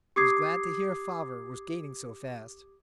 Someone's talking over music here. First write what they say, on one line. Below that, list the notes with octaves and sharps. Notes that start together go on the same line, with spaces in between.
Was glad to hear father was gaining so fast.
G4 D6 D#6 G#6 C7